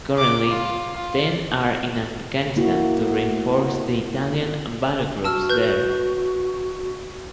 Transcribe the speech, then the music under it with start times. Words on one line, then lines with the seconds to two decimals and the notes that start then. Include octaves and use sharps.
Currently ten are in Afghanistan to reinforce the Italian Battlegroups there.
0.17 D6
0.49 F4
0.95 F4
2.57 A#3 E4 F#4
5.24 F#4 A5 E6 F6
5.50 B4 G6